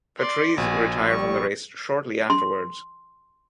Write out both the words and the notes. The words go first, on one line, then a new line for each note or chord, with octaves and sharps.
Patrese retired from the race shortly afterwards.
D5 C6
A#1 F#4 G#5
G3 C#6
C6